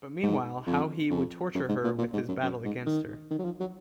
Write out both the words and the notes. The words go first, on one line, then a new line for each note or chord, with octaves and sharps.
But meanwhile, how he would torture her with his battle against her.
G#2
F2
F2
F#2
G#2
A#2
A#2
G#2
F#2
F#2
G#2
D#3
D#3
F#3
F3
F#3